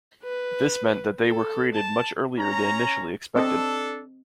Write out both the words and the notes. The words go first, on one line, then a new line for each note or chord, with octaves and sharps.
This meant that they were created much earlier than initially expected.
B4
A4
A5
C#4 A#5
C4 D4 A4 D#5